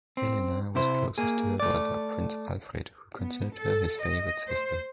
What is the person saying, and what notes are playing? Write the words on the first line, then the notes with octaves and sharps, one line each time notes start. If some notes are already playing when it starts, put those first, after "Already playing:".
Helena was closest to her brother, Prince Alfred, who considered her his favourite sister.
C4
C3 E4 C5
A#3 G#4
A3 D5
B3
A4
D#5
C5